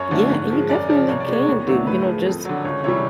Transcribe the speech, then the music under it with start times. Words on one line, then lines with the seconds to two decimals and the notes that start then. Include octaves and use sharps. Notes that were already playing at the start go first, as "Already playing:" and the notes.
Yeah, and you definitely can do, you know, just
Already playing: F#2 C#5
0.11 D3 F3 A3
0.30 G#2
0.50 F3 G#3
0.69 F#2 D5
0.89 C#3 F3 D5
1.08 C2 C#5
1.20 D5
1.28 B2 G#3 C#5
1.48 D#2
1.67 D3 F#3 A3
1.87 A2 B4
2.06 F3 G#3
2.25 F2
2.45 D3 F#3
2.65 C#2 C#5
2.84 C3 E3 G3 C#5